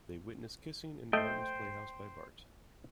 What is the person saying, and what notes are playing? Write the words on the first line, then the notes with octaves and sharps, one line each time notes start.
They are witnessed kissing in Martin's playhouse by Bart.
A3 C5 D#5 G5